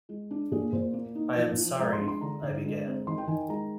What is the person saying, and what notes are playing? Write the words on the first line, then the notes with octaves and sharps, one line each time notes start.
"I am sorry — " I began.
G#3
D4
A#2 G#4
A#2 C5
A#3
D#4
F3
F3
G#3 A#5
C6
D4
C6
D3 A#5
D3
G#3
C4
D#3 C6
G5
D#3 G#5
G#3 A#5